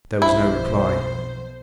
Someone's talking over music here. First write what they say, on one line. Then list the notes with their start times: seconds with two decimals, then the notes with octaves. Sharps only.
There was no reply.
0.22 B1 F2 B2 E4 C5